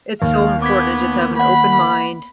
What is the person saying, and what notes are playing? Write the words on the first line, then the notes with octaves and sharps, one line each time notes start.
it's so important to just have an open mind,
D#2 F5
B3 D6 G#6 B6
A#3 F#5 B5